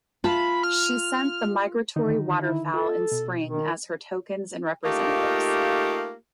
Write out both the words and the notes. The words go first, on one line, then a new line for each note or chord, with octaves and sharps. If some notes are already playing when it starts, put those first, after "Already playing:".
She sent the migratory waterfowl in spring as her tokens and representatives.
F4 A5 B5
F6
D3 D#3 D#4
E4
F4 A4
B2
D#3
A3 A#3 D#4 F4 G4